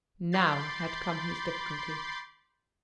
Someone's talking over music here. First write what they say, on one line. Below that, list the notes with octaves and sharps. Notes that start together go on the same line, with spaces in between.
Now had come his difficulty.
B5 C6 D6 G6 A6 C7